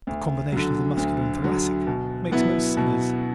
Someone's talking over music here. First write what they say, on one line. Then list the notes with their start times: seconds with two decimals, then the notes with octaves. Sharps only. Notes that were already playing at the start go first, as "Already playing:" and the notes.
A combination of the Muscular and Thoracic makes most singers.
0.07 D2
0.52 D3 F#3
0.97 D2
1.42 D3 F#3
1.87 B2
2.31 F#3 B3 E4
2.77 B2